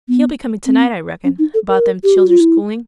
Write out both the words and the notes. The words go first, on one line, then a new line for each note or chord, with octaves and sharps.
He'll be coming to-night, I reckon, about them childer's schooling.
B3
C4
C#4
D#4
A4
A#4
G4
F#4
F4
E4